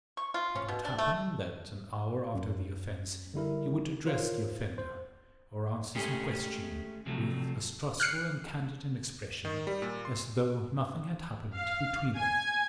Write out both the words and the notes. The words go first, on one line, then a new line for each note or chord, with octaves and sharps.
It would happen that an hour after the offense he would address the offender or answer some question with as trustful and candid an expression as though nothing had happened between them.
C#6
F4
C#4
B2
D4
A3
F#2
D3 G3 E4 A#4
F4 A#4 C5 C#5 F5
C5
G#3 A3 C#4 G4 G#4
C3 F3 F#3 A3
F6 F#6 C7 C#7
D#3
G3
A#2
C6
F5
G#5